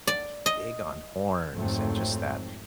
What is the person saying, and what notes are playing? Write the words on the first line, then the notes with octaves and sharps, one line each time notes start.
he big on horns and just that
D5
D#5
G#1 F2 G#2 F#3 A3 C4